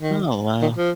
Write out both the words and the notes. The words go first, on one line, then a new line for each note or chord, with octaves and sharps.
Oh, wow.
D#3
D#3
F3